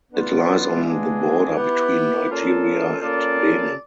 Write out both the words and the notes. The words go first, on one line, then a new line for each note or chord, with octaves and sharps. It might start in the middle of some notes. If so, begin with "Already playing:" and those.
It lies on the border between Nigeria and Benin.
B3 D4 F4
G#3 B3 D4 F4 G#4
B3 E4 G4 B4
A#3 C#4 F4 A4 D5
A#3 C#4 F4 A4 D5